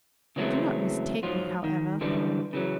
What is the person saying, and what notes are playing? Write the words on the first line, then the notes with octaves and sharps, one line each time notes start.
Do not mistake me, however.
C#3 E3 F#3 G#3 A3 C4
G#2 F3 F#3 F4
D#3
F#2 D3 E3 G3
C#3 E3 F#3